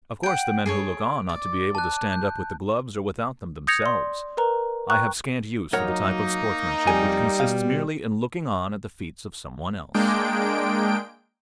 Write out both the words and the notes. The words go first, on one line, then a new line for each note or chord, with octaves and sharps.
Of course the men who look on ought to be able to stand up with the gloves, or without them, themselves; I have scant use for the type of sportsmanship which consists merely in looking on at the feats of some one else.
F#5 G5 D7
G#4 A4 C#5
D5
A5 F#6
G6
D#6 G6 G#6 A#6 C#7 F7
D5 C6
A#4 B4 A#5
G5 A#5 C#6 F#6
F#3 A#3 D#4 A#4 C#5 F#5
F2 G3 G#5
B2 F5
G#3 A#3 D4 G5 D7